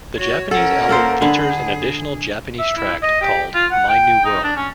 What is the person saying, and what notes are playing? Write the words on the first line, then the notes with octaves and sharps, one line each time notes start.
The Japanese album features an additional Japanese track called ""My New World"".
F#4 C#5
C#4 A4 A#4 F#5
A#3 A4 C5
D3 G#4 B4
E5
E4
D#5
G4
F4
F#5
G5
D#4
D4
C#4